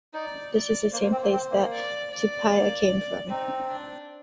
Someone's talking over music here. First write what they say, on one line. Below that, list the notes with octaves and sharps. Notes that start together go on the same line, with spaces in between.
This is the same place that Tupaia came from.
D#4 D5
D5
A#3 C5
A#3
C4
A#3
C4
A#3
D5
D5
A#3
C4 D#4
D4